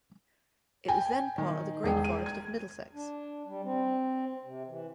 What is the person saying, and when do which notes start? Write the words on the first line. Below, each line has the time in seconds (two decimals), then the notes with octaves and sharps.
It was then part of the great Forest of Middlesex.
0.88 G5 G#5
1.38 D#3
1.83 E1 G#4 G5
2.04 D#7
2.26 G#6
2.94 D4
3.46 G3
3.64 C4
4.44 C3
4.67 E3